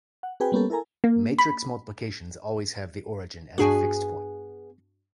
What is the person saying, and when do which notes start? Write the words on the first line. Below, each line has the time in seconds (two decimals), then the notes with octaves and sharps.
Matrix multiplications "always" have the origin as a fixed point.
0.23 F#5
0.40 C4 F#4 G#4 B4 G5 G#5
0.52 G3 A#3 B3 C#4 G4 A4
0.70 E4 A4 A#4 G#5 A#5
1.04 A#3
1.38 B5
3.58 G2 B3 D4 F#4 G#4 G#5